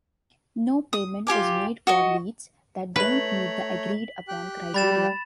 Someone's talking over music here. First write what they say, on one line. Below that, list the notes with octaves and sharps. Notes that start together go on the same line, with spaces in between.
No payment is made for leads that don't meet the agreed upon criteria.
D#6
F4 G4 G#5 D6
F#4 D#5 C#6
A3 B4 C#5 A#5 B6 F#7
G4 G5 F#6
G3 B5 A6 E7